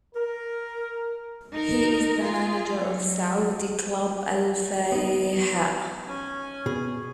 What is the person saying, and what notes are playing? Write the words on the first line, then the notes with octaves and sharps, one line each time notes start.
He is the manager of Saudi club Al-Fayha.
A#4
D#4 A#4
F4 G#4
F#3
B3 D#4
C#4 G#5
B2 G#4